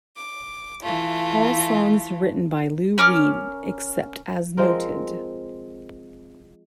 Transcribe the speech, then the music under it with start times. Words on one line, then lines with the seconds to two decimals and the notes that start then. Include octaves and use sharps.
All songs written by Lou Reed except as noted.
0.16 D6
0.82 E3 A3 F4
2.98 C#4 A#4 D6 F6
4.57 F3 G#3 C4 A#4